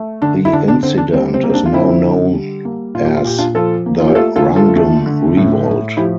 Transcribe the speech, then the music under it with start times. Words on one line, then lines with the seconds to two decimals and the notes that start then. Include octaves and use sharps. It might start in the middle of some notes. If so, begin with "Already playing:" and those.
The incident is now known as the Rundum Revolt.
Already playing: A3
0.22 D3 D4
0.45 E4
0.53 D3 D4
0.68 D4
0.83 D3 C4
0.98 D4
1.13 G3 C4
1.34 C4
1.43 A#3
1.50 C4
1.54 D4
1.66 F4
1.73 D3 C4 E4
2.04 D3
2.34 G3
2.65 A#3
2.94 A#2 F4
3.05 G4
3.17 F4
3.24 A#2 G4
3.38 D4 F4
3.55 F3 F4 A4
3.86 A#3
4.00 F4
4.07 G4
4.15 A3 F4 A4
4.36 F4 A4
4.46 D3
4.56 F4 A4
4.76 A3
5.06 D3
5.37 A2
5.68 A2
5.97 F3 E4 G4